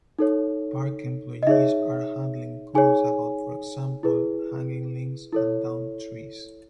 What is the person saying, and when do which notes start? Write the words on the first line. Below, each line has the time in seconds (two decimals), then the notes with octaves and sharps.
Park employees are handling calls about, for example, hanging limbs and downed trees.
0.19 D#4 A4 C#5
1.43 D#5
1.47 D#4 G#4 C#5 E5
2.75 D#4 G#4 C#5 G#5
4.03 E4 G#4 B4
5.33 E4 A4 C#5